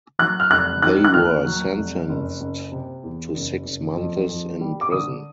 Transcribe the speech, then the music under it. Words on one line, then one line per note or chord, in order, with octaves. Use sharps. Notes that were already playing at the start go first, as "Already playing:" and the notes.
They were sentenced to six months in prison.
F#3 F#6
F6
F1 F#6
D#3 F#6
F#6
D#2 F6
F#3
F1
F#1
F#1
C3
E2
F#1
F#1
F2
F2
G3
D6
D3 D#6